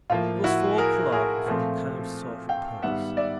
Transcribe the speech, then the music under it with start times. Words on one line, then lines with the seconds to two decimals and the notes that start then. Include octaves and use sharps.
It was four o'clock before the camp sought repose.
0.10 A2 F3 A#3 F4
0.44 E4 F#4
0.78 G#4 A#4
1.12 G#4 A#4
1.46 A#2 F3 A3 C4
2.49 F5 G5
2.82 G#2 D#3 G3 B3 E5 F#5
3.17 D5 E5